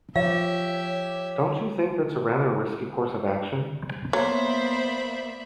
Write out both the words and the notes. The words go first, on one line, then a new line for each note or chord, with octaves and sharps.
Don't you think that's a rather risky course of action?
F3 G4 C#5 E5 F5
F#3 A#3 B3 C5 D5 E5 B5